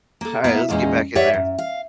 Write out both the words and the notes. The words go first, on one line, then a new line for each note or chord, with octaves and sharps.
Alright, let's get back in there.
A#3 A4
A#3 B3 E4 B4
E2 A#2 G#3 A3 C#4 D#4
G4 B4 C#5 D5 E5 F#5
F#2
F5